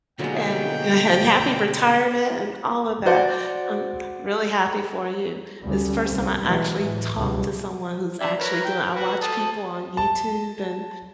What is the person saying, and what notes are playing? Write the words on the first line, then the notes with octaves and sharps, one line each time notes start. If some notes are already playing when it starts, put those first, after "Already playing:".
and an and happy retirement and all of that, um, I'm really happy for you. It's the first time I actually talked to someone who's actually doing it. I watch people on YouTube and
B2 D3 F#3 G#3 A#3 D#4 G5
D5
F#4 C5 D5 F#5
D2 C#3 G3
C2 C4
B2 E3 F#3 G#3
A2
C#2 G#2 B2 F#3 G3
D4 E5
A#4 B4 C#5
G5
F#4 B4
A4 A5 D#6
A5